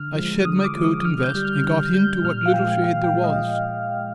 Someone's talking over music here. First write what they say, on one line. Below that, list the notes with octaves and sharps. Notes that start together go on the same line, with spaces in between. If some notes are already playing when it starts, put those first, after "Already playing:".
I shed my coat and vest and got into what little shade there was.
Already playing: D3 F6
F3 G#3
D3 D#6
D6
F3 G#3
D#6
D3 F6
G6
G3
F6
D3 F6
G3 G6
A#2 F6
F5
F3 G#3 G5
A#2 F5
G5
F3 G#3
D#5